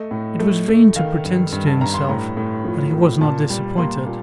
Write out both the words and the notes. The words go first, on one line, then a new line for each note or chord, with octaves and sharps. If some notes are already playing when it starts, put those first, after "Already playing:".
It was vain to pretend to himself that he was not disappointed.
Already playing: A3 D#5
A2
A3
A3
D#3 F5
G2
G2
A5
G2 A#5
C6
A2 A#5
A2
F3
A2
A#2 A5
G3
A#3 C6
A#2